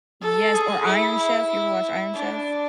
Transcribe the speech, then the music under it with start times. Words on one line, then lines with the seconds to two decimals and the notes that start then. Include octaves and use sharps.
Yes, or Iron Chef, you ever watched Iron Chef?
0.22 A4
0.54 G#4
0.87 E4
2.15 D4